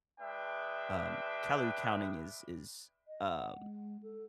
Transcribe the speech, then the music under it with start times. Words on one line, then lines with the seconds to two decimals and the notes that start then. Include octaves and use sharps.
um, calorie counting is is, um,
0.21 G#3 D4 B4 E5 G5
3.08 D#5
3.28 F#5
3.57 G#3
4.03 A4